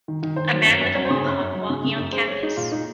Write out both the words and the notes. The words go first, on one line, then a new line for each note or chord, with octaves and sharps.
A man with a Mohawk walking on campus.
D#3
D#3
D#3 C5
F#3
F#2 C#5
F#2
F#3 C#5
C5
C#3 C#5
F#2
F#2
F#3
C#3
C#3
F#2
G#3 C5
G#3 C#5
G#3 D#4
A#2 F4
G#3 D#4